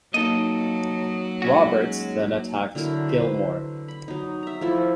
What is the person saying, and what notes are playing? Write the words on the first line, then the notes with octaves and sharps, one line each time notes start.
Roberts then attacked Gillmore.
F#3 A#3 D#4 A4 D#5
G#3 C#4 F#4
D3 F#3 E4 A#4
D3 B4 C5
B5
F#3 D#4
E5 A#5
F3 A3 E4